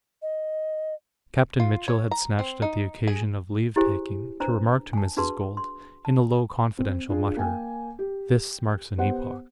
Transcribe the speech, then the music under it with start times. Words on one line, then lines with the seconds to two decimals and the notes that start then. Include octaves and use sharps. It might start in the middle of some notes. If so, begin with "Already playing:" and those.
Captain Mitchell had snatched at the occasion of leave-taking to remark to Mrs. Gould, in a low, confidential mutter, "This marks an epoch."
0.22 D#5
1.60 F4
1.88 C#5
2.11 A#5
2.39 C4
2.62 D#4
3.07 G#4
3.76 E4 G4 G#4 C5 G#5
4.40 D4 B4 C5 A#5
4.93 G#5 A5
5.17 D4 F#4 G#4 B4 A5 C6
5.57 C6
6.05 A5
6.78 C4
7.09 D4 F4 G#4
7.37 A#3 G5 G#5
7.99 G4
8.98 B3 G4 C5 F#5